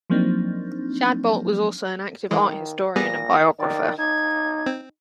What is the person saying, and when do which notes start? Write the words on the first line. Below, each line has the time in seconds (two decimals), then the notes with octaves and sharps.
Shadbolt was also an active art historian and biographer.
0.10 F3 F#3 A#3 C4 D4 D#4
2.31 D#3 E3 G#3
2.96 A#2 G3 B3 G#4 A#6
3.59 D#3 D5
3.98 D#4 G#6
4.66 C4